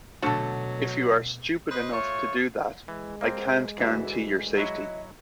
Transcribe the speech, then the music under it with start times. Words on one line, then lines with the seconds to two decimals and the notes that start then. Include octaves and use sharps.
If you are stupid enough to do that, I can't guarantee your safety.
0.22 B2 D3 F#3 A3 F#4 A4
1.70 B4 C5 D#5
1.91 A3 F4 C#5 C#6
2.88 E3 G#3
3.21 A#3 C4 C5
3.78 D2 E3 F#4 E5
4.57 F#3 E4 F#4 D#5